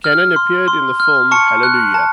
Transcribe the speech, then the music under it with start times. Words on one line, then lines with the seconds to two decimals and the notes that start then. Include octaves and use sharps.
Cannon appeared in the film Hallelujah!
0.04 F6
0.36 C6
0.68 C6
1.00 F6
1.31 A5 C#6 C#7
1.63 F#6
1.94 A5